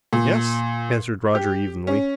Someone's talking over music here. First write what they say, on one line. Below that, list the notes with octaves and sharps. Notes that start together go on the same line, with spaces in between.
"Yes," answered Roger evenly.
A#2
G4
C#4